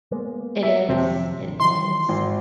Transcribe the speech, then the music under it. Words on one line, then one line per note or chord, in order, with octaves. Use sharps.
It is, it is,
G#3 A#3 B3
E5
F2 C3 D#3 F3
A1 D2
D#3 E3 C6
G#1